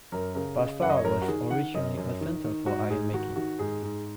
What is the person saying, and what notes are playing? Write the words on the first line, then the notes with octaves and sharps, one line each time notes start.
Bassar was originally a centre for iron making.
F#2 A#4
C#3 A#4
C#3 D#5
F#2 F#5
D#5
C#5
F#2 A#4
F#4
D#3 G#4
D#3 F#5
F#2 D#5
F#2
D#3
D#3
G#2 F#4
G#2 G#4
D#3 F#4
D#3 F#4
G#2 G#4
G#2